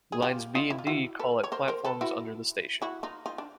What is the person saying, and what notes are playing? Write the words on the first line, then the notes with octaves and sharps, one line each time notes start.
Lines B and D call at platforms under the station.
G#4
F4 G4
D#4 F4
E4
F4
E4 F#4
A4 B4
C#5
A#4 C5
A#4 C5
A4 B4
E4 F#4
E4 F#4
D#4 F4
D#4 F4
D4